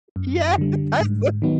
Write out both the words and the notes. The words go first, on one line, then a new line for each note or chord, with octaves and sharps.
Yes! I sw
F#2
D3 G3
G#2
D#3 F#3 B3 D#4